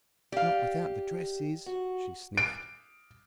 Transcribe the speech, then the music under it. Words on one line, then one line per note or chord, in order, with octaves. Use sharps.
"Not without the dresses," she sniffed.
G4 D5 F5
F#4
D7